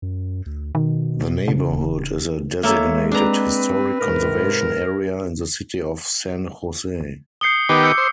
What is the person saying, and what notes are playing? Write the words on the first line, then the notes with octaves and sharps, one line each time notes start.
The neighborhood is a designated Historic Conservation Area in the City of San Jose.
F#2
D2
B2 D#3
C#3
D#1
G#3 A#3 A4 C#5 E5
C4 D4 B4 A#5
G#2 C3 A#4
D#6 G6 C7 C#7 G7
D#3 B3 G4 D6
E6 G6 C#7
C5